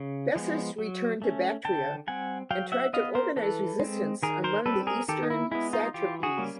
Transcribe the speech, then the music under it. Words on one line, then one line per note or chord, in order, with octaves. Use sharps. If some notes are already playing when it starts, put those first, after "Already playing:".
Bessus returned to Bactria and tried to organize resistance among the eastern satrapies.
Already playing: C#3
F3 G#3 B3
F#3
A3 C#4
D3 G5 A5
G3 C4 F#5 G#5
F#3 F5 G5
E5 F#5
B3 D#5 F5
A#4 C5
E3 A4 B4
G#3 C4
D#3 G#4 A#4
A#4 C5
G3 C4 A4 B4
G#4 A#4
D#3 G4 A4
D#4
E4
G#3 B3 E4
D#4 F4
E3 F4 G4
F#4 G#4
G3 A#3 C#4